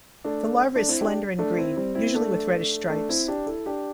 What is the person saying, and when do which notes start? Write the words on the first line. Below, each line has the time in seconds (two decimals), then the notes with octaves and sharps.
The larva is slender and green, usually with reddish stripes.
0.24 A3 D4
0.76 A3 D4
0.88 C4 E4
1.01 D4 G4
1.39 A3 D4
1.58 C4 E4
1.76 G3 C4
1.95 C4 E4
2.14 A3 D4
2.90 A3 D4
3.09 C4 E4
3.28 D4 G4
3.46 E4 A4
3.66 D4 G4